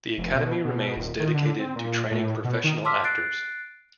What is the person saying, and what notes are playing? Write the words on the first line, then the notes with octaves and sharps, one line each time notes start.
The Academy remains dedicated to training professional actors.
F1
B2
B2
D#1
D#3
D3
C4
A#2
A2
B2
D#3
A5 C6 D6 E6 F6 B6
F#6 A6 C7 D7